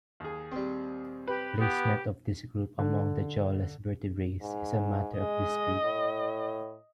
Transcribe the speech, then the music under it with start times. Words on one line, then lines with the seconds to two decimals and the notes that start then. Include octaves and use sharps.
Placement of this group among the jawless vertebrates is a matter of dispute.
0.20 D#2 G#4
0.52 G3 C4
1.28 G4 B4
1.59 B3 G4
2.79 D3
4.42 G#2
5.19 G#3 D#5
5.83 A2